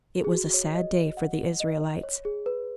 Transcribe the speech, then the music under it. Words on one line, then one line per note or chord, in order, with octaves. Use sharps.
It was a sad day for the Israelites.
G#4
F#4
C#5
D#5
F#5
D#5
C#5
G#4
B4